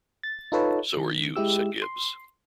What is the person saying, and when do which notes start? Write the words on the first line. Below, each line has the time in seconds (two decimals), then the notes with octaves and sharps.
"So are you," said Gibbs.
0.23 A6
0.52 D#4 F4 A4 B4 C#5 A5
0.97 D#3
1.36 G#3 E4 G4 E6
1.82 C6